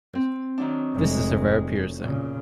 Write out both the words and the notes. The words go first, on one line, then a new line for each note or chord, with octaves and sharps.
This is a rare piercing.
C4
D#3 F#3 D4
F1 G#3
A#2 C#3